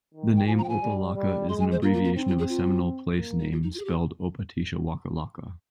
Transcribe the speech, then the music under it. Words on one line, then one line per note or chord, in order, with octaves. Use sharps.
The name "Opa-locka" is an abbreviation of a Seminole place name, spelled Opa-tisha-wocka-locka.
D#3
G5
F3 G#5
A#5
G5
G#5
G3
G3
G#3 C6
G#5
C5
A#3 F4
F4
F4
C4 D#4
F4
G#4
F4
A#3
D#4
F4
D#4
F4
G#4
G4